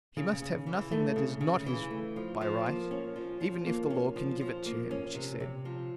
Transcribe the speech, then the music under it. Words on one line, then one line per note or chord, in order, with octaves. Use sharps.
"He must have nothing that is NOT his by right, even if the law can give it to him," she said.
C#3
C#3
E3
A3
C#3
C#3
E3
A3
F3
F3
A#3
C#4
F3
F3
A#3
C#4
F3
F3
A#3
C#4
C3
C3
F3